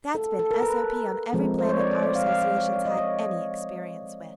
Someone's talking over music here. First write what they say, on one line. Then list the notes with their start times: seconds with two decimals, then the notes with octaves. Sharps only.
"That's been SOP on every planet our Association's had any experience with."
0.15 A4
0.39 A4
0.51 A#4
0.63 B4
1.33 F3 G#3 C4
1.59 C5
1.69 C#5
1.79 D5
1.91 D5
2.02 D5
2.15 F5
2.27 F5
2.42 F5
2.57 C#5
2.73 D5
2.85 D#5
2.98 C#5